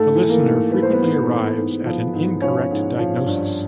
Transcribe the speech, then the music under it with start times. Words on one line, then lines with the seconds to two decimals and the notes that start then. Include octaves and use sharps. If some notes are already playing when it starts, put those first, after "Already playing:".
The listener frequently arrives at an incorrect diagnosis.
Already playing: G#2 A3 A4
0.15 E3
0.29 A#3 A#4
0.44 G#2
0.72 E3 B4
0.82 C5
0.93 B3 B4
1.00 G#2
1.28 E3
1.56 G#2
1.86 F3
2.13 G#2
2.42 F3 C#4 C#5
2.71 G#2
2.98 F3
3.26 G2